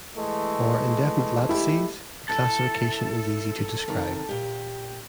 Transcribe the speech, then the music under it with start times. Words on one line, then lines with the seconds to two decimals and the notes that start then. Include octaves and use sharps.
For indefinite lattices, the classification is easy to describe.
0.15 E3 G#3 A3
1.49 E4 G4
2.29 E4 A4
3.88 C3 D#3 F#3
4.29 A#2 G4